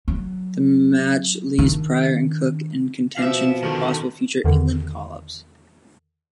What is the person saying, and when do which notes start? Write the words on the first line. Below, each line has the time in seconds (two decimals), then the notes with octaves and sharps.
The match leaves Prior and Cook in contention for possible future England call-ups.
0.08 F#3
1.58 D#3 D4
3.18 B2 F3 E5 F5
3.62 D3 D#3
4.44 E2 D3 D#3